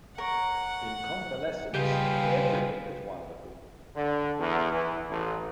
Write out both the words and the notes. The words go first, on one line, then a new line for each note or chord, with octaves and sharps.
In convalescence everything was wonderful.
A#4 C#5 F#5
C#3 G3 F4 G4 G#4 B4 D#5 F5
D3
E2
E3
A1